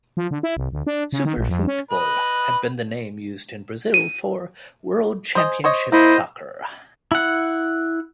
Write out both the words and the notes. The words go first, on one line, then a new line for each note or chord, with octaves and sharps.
"Super Futebol" had been the name used in Brazil for "World Championship Soccer".
F3
D3
E4
C2
D2
D4
C#3
D#3
A#1
F2
C#4
B4 D#5
D#7
C5 D#5 G#5
C5 C#5 D#5
A#3 E4 C5 D#5
E4 F#5